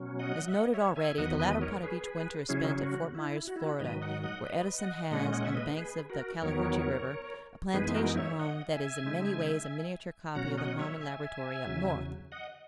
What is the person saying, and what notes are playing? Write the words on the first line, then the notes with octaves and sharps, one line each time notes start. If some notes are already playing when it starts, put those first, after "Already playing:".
As noted already, the latter part of each winter is spent at Fort Myers, Florida, where Edison has, on the banks of the Calahoutchie River, a plantation home that is in many ways a miniature copy of the home and laboratory up North.
Already playing: B2 F#3 C#4
D#5 F#5
E5
D#5 F#5
C#5 E5
E5 G#5
E2 D#3 F#3 B3 D#5 F#5
B4 D#5
A#4 C#5
G#4 B4
C#3 F#3 C#4 E4 G#4
F#4
E4
F#4
E4
F#4
G#2 D#3 F#3 B4 D#5
D#5 F#5
D#5 F#5
B4 D#5
D#5 F#5
A#2 G#3 C#4 D#5 F#5
D#5 F#5
E5
B4 D#5
G#4 B4
F#4 A#4
E2 D#3 F#3 B3 A#4 C#5
F#2 E3 G#3 B3 D#4 G#4 B4
F#4 A#4
C#5 E5
D#5 F#5
E5 G#5
C#3 G#3 D#4
B2 F#3 C#4 F#5 A#5
D#5 F#5
C#5 E5
E5 G#5
E2 C#3 F#3
D#5 F#5